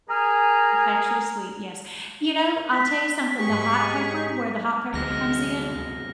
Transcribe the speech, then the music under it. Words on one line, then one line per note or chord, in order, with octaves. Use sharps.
It's actually sweet. Yes, you know, I'll tell you something, the hot pepper where the hot pepper comes in,
G#4 A#4 G#5 A#5 F6
B6
G#2 G#3 G4 G#4 C#6
D2 G2 C3 F#3 G#3 B3 F6 A#6